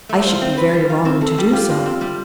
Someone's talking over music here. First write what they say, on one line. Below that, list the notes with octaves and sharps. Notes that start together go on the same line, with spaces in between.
I should be very wrong to do so.
A3
F4 C5
C4
B4
G3
F4
C4
C4 A4
G3
F4 G4
A2 F4
C4
G3